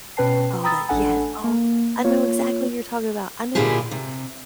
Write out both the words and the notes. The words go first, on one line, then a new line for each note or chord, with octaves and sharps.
Oh, that yes. Oh, I know exactly who you're talking about. I know
B2 C#4 B4 G5 A5 C7
G5 A#5 B5 D#6 E6 A6
A1 D4 A4 F#5 G#5 B5
A#3
A#3 F4 C#5
A#2 D3 E4 F4 G4 G#4
C3